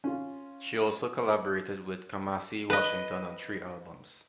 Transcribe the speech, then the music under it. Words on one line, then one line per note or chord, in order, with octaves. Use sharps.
She also collaborated with Kamasi Washington on three albums.
C#4 F4
B4 D#5